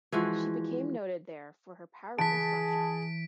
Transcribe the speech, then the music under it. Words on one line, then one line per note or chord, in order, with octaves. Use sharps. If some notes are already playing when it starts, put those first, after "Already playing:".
She became noted there for her powerful slapshot.
E3 F3 G#3 F#4
E3 G#4 A5 B6 D7